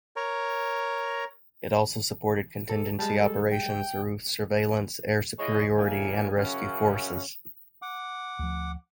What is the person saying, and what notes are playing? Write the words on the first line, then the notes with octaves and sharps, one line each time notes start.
It also supported contingency operations through surveillance, air superiority and rescue forces.
A#4 C#5 A#5
A4
G3 G#3 A5
A4
G5
G#3 E4 C#5 D#5 G#5
C#3 A#3 E4 G#5
F#2 C#3 C#4
F#5 D6
D2 F3